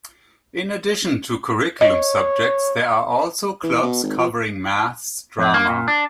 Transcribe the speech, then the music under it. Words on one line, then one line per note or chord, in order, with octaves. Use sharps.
In addition to curriculum subjects, there are also clubs covering Maths, Drama.
C#5 D#5
E3
B2
G#1
F3
F2
A#3
A#2
D4